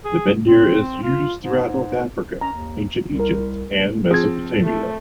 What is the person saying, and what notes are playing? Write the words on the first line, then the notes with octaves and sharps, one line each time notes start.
The bendir is used throughout North Africa, Ancient Egypt, and Mesopotamia.
G#4
C4
F4
G#2
G#2
C#4 A#5
D#2
C2
A#4
F3 C4 G#4 G#6
A3